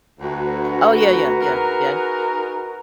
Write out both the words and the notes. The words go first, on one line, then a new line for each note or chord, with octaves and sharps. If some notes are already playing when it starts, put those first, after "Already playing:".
Oh, yeah, yeah, yeah, yeah.
D2 F#4 B4 A#5
D#4 G#4 A#4